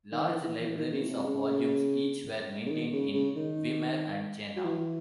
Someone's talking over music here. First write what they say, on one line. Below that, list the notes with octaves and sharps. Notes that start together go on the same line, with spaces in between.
Large libraries of volumes each were maintained in Weimar and Jena.
D#3
E3
E3
E3
D#3
C#3
A2
C3
C3
C#3
C#3
D#3
C#3
C#3
D#3
F#3
E3